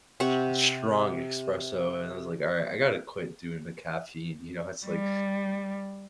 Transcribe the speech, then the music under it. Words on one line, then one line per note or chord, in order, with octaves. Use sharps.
st strong espresso, and I was like, "All right, I gotta quit doing the caffeine," you know, it's, like
C3 F#5 C#6
G3